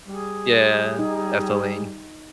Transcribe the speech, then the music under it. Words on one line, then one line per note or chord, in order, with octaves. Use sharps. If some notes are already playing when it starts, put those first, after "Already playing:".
Yeah, definitely.
G3 G#4
D#4